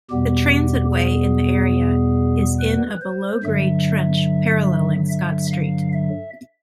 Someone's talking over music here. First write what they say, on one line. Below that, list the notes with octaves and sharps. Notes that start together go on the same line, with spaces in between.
The transitway in the area is in a below-grade 'trench' parallelling Scott Street.
E2 B2 G3 B3 G4
G#4
B4
C5
G2 D3 F#3 E5
E5
F5
E5